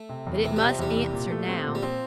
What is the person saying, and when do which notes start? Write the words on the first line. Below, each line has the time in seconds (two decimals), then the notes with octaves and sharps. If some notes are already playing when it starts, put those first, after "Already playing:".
But it must answer now.
Already playing: A3
0.09 C3
0.27 E2
0.44 C3 A3
0.56 G3
0.62 C3
0.69 F3
0.79 E2 G3
0.96 C3
1.13 A#2
1.30 A3
1.48 C4
1.64 A#2
1.75 G3
1.83 F3 C4